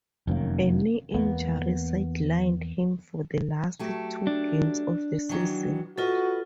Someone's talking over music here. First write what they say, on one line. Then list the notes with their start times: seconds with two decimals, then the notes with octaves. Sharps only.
A knee injury sidelined him for the last two games of the season.
0.27 F1 F#2 D#3 A#3
1.14 E2 G#3 A#3 B3
3.79 F#3 A3 G4
4.27 D4
5.29 D#3 E3 F#3
5.98 F4 F#4 A4 B4 D#5